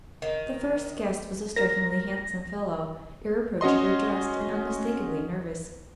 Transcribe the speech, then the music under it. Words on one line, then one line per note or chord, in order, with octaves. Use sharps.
The first guest was a strikingly handsome fellow, irreproachably dressed and unmistakably nervous.
D#3
A#4 A#6
C#4 F#4 D#5 C6